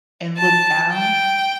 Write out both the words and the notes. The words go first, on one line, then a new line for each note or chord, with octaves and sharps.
and look down
A5
G5